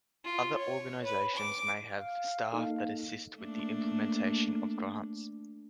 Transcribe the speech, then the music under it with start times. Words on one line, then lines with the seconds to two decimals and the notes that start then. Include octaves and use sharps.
Other organizations may have staff that assist with the implementation of grants.
0.24 F4
0.57 C#5
1.06 B4
1.35 D6
1.97 F5
2.53 A#3 D#4 A4
3.38 A3 A#3 D4